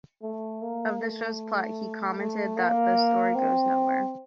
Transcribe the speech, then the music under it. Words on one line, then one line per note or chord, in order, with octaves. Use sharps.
Of the show's plot, he commented that the story goes nowhere.
A3
A#3
A3
A3
A#3
C4